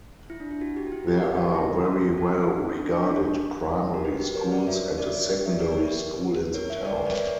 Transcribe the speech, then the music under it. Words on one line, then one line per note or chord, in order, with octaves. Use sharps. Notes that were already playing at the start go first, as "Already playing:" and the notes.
There are very well regarded primary schools and a secondary school in the town.
E4
D4
E4
F#4
G4
F#4
E4
G4
A#4
G4
F#4
E4
F#4
E4
F#4
D4
E4
D4
E4
F#4 A#4
G4 B4
G4 B4
A#4 C#5
B4 D5
C#5 E5
B4 D5
A#4 C#5
G4 B4
E5
D5
A#4 C#5
C#5
G4 B4
A#4 C#5
C#5 E5
B4 D5
A#4 C#5
B4 D5
C#5 E5